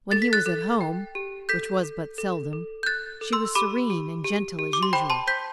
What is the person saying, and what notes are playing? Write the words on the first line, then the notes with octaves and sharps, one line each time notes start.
When he was at home, which was but seldom, she was serene and gentle as usual.
A4 A6
B6
F#6 A6
A4
G5
G4
A4 G6 B6
A4
A4
A4
G6
A4 F#6 A6
A4
C6 E6
G4 B5 D6
G4
G4
G4
D6
C6
C5 G5 B5
A5 C6
C5 G6 B6